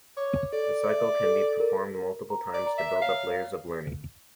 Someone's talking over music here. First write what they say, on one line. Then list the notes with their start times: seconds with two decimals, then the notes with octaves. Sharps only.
The cycle can be performed multiple times to build up layers of learning.
0.17 C#5 D6
0.53 A4 D5
0.89 E5
1.24 A4
1.60 A#4
1.95 A#4
2.30 A#5
2.54 D5
2.66 A#5
2.78 E5
3.02 C#5 F5